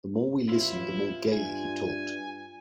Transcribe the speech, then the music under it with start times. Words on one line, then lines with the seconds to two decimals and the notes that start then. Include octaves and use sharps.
The more we listened, the more gaily he talked.
0.49 A1 E4 F4 E5
1.32 G2 G#5